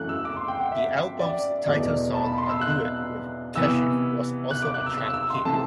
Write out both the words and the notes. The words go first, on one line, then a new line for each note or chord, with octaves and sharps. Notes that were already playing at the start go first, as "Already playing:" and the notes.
The album's title song, a duet with Kashif, was also a chart hit.
Already playing: F#2 E3 A3 F#6
E6
D6
C6
G5
F#5
E5
D5
E2 B2 A3 D5
A5
B5
C6
E6
F#6
C3 E3 B3 E6
F#6
D6
F#6
E6
E6
E6
C6
C3 E3 A3 C4 A5